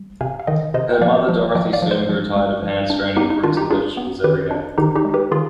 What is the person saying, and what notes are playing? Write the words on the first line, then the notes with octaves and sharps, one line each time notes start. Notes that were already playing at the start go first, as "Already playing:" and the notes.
Her mother Dorothy soon grew tired of hand-straining fruits and vegetables every day.
Already playing: G3
C3 F5 G#5
F5
D#3 D#5 G5
C3 C5 D#5
G5
F3 D5 F5
F3
F3 D#5 G5
D5 F5
F3
C5 D#5
F3
G#3
F3
D4
B3 D#4 G4
D#4
D#3 D4 F4
D#4 G4
D4 F4 G#4
B3
D#3 G4 B4
D4
D#3 D#4 G4
D#4 G4
G#3
G4 B4
D#3 F4 G#4